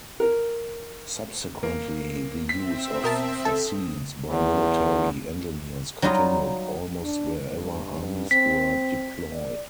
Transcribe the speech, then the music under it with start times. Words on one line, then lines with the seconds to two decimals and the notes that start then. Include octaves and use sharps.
Subsequently, the use of fascines by military engineers continued almost wherever armies were deployed.
0.20 A#4
1.63 A#3
2.49 C4 E5 B6
3.03 B2 A#4 A5 D#6
3.45 A4
4.26 E2
6.02 F#3 G3 D#4 F4 D#5
7.04 D4
7.52 G2
8.31 C4 B6
9.33 D5